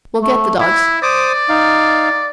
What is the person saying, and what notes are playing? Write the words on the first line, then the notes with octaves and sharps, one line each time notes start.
We'll get the dogs.
A3
E4 E5
C5 D5 D6 D#6
D#4 F5